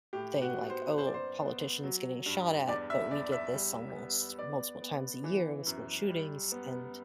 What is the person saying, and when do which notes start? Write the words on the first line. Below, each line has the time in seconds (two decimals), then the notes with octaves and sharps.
thing like, "Oh, politicians getting shot at, but we get this almost multiple times a year with school shootings," and
0.13 A2 G4
0.42 F#4
0.56 B3
0.70 C5
0.98 F#2 C5
1.06 D5
1.14 C5
1.41 B3
1.84 F#3
2.26 G2
2.68 E2 D5
2.90 E5
3.11 E2 D5
3.32 E5
3.54 G3
3.96 B3
4.39 B3 D5
4.81 B3
5.24 E3
5.67 F#2
6.09 G3
6.52 B3